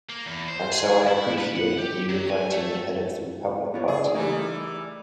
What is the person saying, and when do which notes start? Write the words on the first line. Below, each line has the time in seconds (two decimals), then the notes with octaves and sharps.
And so I appreciate you inviting the head of the Republic Party.
0.09 A#3
0.26 E2
0.49 C5
0.72 G#4
1.07 E4
1.39 B4
1.57 F#5
1.78 G4
2.09 F#3
2.30 G#5
2.52 A3
3.74 B3 F4 C#5
3.88 C#3 G#4
4.14 E3 G3 A3 D#4 A#4